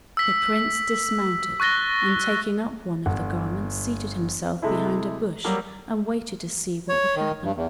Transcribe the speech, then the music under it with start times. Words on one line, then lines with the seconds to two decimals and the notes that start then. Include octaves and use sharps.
The Prince dismounted, and taking up one of the garments, seated himself behind a bush and waited to see what would happen.
0.17 E6 B6
1.60 C#6 F#6 A6 A#6 G7
3.06 G1 F#5
4.62 C3 G#3 A3 E4
5.44 F#3 G3 A#3
6.89 C#5
7.16 D#3
7.42 G2
7.55 E2